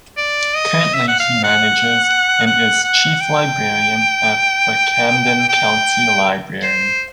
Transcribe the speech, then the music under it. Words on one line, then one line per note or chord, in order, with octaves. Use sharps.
Currently he manages and is Chief Librarian at the Camden County Library.
D5
D#5
E5
F#5
F5
F#5
F#5
F#5
G5
G5
C5